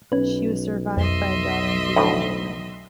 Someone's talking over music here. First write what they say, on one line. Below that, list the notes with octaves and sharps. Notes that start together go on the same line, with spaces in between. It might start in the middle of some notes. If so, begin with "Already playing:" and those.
She was survived by a daughter and three grandchildren.
B1 C#4 B4
F2 D#5 E5 C6
D2 A2